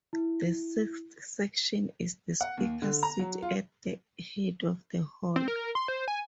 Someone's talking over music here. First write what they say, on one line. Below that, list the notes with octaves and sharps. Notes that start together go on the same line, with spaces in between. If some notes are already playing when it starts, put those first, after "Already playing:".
The sixth section is the Speaker's seat at the head of the hall.
E4
F#5
D#2
D3
A#5
F#3
F4
C4
A#4
C6
C5
G#5